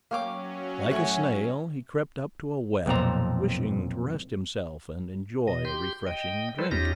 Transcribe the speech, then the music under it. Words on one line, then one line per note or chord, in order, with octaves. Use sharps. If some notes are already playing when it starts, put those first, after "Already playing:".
Like a snail he crept up to a well, wishing to rest himself and enjoy a refreshing drink.
F#3 A#3 C#4 C#5 F5 G5 D6
A2 F#5 G#5 C#6
B1 F2 A#2 C4 A#5
B2 D#5
G4 C6 G6
D#5 G5
G3 A4 B4 C5
E2 C#4 D#4 F4 G4 A#6